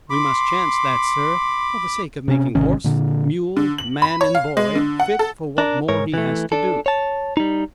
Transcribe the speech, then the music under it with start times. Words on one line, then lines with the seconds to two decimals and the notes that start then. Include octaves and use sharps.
"We must chance that, sir, for the sake of making horse, mule, man and boy fit for what more he has to do."
0.10 B5 C6 D6
2.28 C3 C#4
2.55 G#1 C3 D#3 C#4
2.84 A#2 D3
3.57 D3
3.78 F#7
4.02 B5
4.21 C#5
4.35 F5
4.57 G#3
4.76 D3
5.00 F#5
5.19 A4
5.58 D4 A#4
5.89 G#2 A#4 C#5
6.14 E3 A3
6.52 D4 A4
6.86 C#5 A5
7.37 G3 D#4